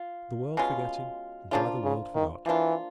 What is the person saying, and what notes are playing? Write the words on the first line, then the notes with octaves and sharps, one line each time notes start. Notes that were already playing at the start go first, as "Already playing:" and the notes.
"The world forgetting, by the world forgot."
Already playing: F4
B2 G#3 C#4 F4
C#3 F3 A#3 D4 F4
C#3
D#3
E3 F3 A#3 D4 F4